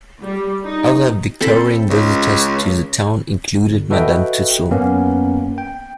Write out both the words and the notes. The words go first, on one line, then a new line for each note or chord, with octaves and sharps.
Other Victorian visitors to the town included Madame Tussaud.
G3
D#4
C4 A4 B5
C#2
G1
F#4 A4 B4 D#5 E5 G5
F#2 A#3 B3 C#4
G5